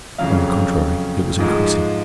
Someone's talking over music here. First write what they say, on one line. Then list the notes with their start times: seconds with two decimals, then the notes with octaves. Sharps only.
On the contrary, it was increasing.
0.18 F2 C#3 F#3 F5
1.39 G#2 F3 G#3